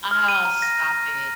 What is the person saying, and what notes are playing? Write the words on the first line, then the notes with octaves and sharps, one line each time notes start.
Oh, stop it.
F6
D#7
A#5
A#6